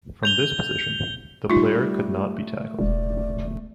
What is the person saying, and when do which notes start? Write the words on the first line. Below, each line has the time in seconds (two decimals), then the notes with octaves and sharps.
From this position the player could not be tackled.
0.23 G6 F7 G7
1.50 G3 A3 D#4 F4
2.79 E1 D5